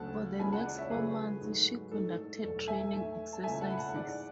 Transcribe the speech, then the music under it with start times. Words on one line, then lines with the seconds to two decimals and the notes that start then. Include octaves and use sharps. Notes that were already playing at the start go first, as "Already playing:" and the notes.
For the next four months she conducted training exercises.
Already playing: D2 C#3 F#3 A3 F#5 A5
0.39 C#2 C#3 E3 G#3 G#5 B5
0.52 F#5 A5
0.66 D5
0.78 C#5 E5
0.90 C#2 C#3 F#3 A3 G#4 B4
1.41 G#2 F#3 A3
1.92 G#2 E3 A3 A4
2.17 A4
2.43 E2 B2 F#3 A3 A4
2.68 E5 G#5
2.93 A2 E3 A3 E5 G#5
3.33 A5
3.44 C#2 C#3 E3 A3 E5 G#5
3.61 F#5 A5
3.70 B5
3.78 F#5 A5
3.95 G#2 E3 G#3 D5 F#5